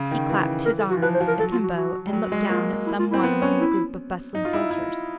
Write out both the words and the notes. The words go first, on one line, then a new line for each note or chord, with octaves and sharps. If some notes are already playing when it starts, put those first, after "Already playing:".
He clapped his arms akimbo and looked down at some one among the group of bustling soldiers.
Already playing: C#3
D#3
E3
A#4
A4
F#4
E3
F3 B4
C5
F3
A#4
F#3 A4
F4
F#4
F#4
G3
F#3
G#3
A#3 F4
E4
F4
C4 E4
B3
C#4
E4
D#4
F4
E4
E4